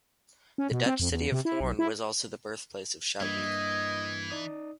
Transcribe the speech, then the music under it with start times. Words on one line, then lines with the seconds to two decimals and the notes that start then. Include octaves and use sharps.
The Dutch city of Hoorn was also the birthplace of Schouten.
0.58 C#4
0.71 B2
0.86 C4
1.00 F2
1.11 E2
1.32 C3
1.45 E4
1.61 B1
1.79 E4
3.21 G2 E3 A#3 D#5 G#6
4.31 D#4 D5 D#6